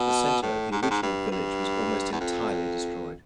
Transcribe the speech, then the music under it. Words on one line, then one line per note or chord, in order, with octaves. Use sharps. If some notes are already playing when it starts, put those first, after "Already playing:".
The centre of the original village was almost entirely destroyed.
Already playing: B2
A2
G#2
A2
G#2
G2
G2
E2
F2